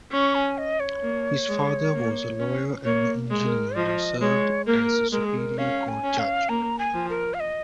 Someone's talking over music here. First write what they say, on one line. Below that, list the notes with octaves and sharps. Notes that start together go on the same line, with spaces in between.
His father was a lawyer and engineer who served as a superior court judge.
C#4 C#6
G#5
D#5
C#5
A#3
G#3
A#3
C#4
A#3 C#5
G#3
A#4
F3 D#5
G#3 C#5
A#3 A#4
G#3 A#4
G#4
A#4
C#4 F5
G#5
C#4
F5
A#3 A#5
G#5
F3
A#4
F5
D#5